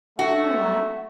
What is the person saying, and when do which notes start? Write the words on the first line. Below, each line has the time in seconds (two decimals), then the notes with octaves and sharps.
"In my lap."
0.19 A3 F#4 E5